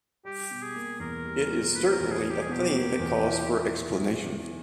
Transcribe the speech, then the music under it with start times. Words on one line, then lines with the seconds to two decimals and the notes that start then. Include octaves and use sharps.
It is certainly a thing that calls for explanation.
0.25 G3 G4
0.51 B2
0.62 G#4
0.75 A#3
1.00 E2 A#4
1.25 G3
1.50 B2
1.74 A#3 B4
1.93 A#4
1.99 E2
2.12 G#4
2.25 G3
2.31 G4
2.42 G#4
2.49 B2 G4
2.75 A#3
3.00 E2
3.24 E4